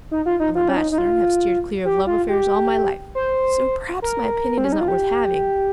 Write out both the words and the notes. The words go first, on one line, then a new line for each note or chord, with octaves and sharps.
I'm a bachelor, and have steered clear of love affairs all my life; so perhaps my opinion is not worth having.
D#4
F4
D#4
F4
C#4
D#4
D#4
F4
G4
F4
G4
C5
A#4
C4
C#4
D#4
F4
G4